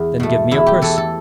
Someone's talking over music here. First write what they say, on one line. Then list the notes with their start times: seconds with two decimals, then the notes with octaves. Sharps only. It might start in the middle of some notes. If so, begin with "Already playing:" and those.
"Then give me your purse."
Already playing: E2
0.20 B2 A3
0.51 E2 E4
0.66 G4
0.82 E3 A3 A4
0.98 A4